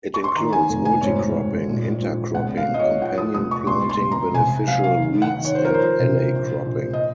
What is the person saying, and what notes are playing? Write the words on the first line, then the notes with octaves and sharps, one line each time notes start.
It includes multi-cropping, intercropping, companion planting, beneficial weeds, and alley cropping.
C#6
C6
D#3 A#5
G#5
F1
G#5
G#1 C#5
G#1
A#2
A#1
C#2 F#5
F5
C#2
D#5
C#5
F3 F#5
D#6
F1 D#6
C#6
C#2 C6
C6
C#2
A#5
C3 G#5
F#3 F5
F5
D#3
F#5
D#3
C#5
C5
F3 A#4
C5
C3
A#1
A#1
D#5